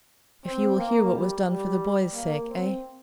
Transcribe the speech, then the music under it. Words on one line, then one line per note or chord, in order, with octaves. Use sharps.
"If you will hear what was done for the boy's sake--eh?"
C4
A#3
G3
G3
A#3
C4